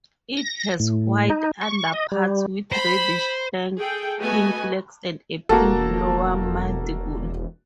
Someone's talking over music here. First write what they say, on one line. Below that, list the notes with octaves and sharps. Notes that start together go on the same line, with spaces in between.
It has white underparts with reddish flank, pink legs and a pink lower mandible.
A#6
A2
D#4
C#6
D#5
G3
C5 B5
G#4 A4 G5
A3 B3 F#4 B4 D#5 G#5
E1 A#3 F#4 A4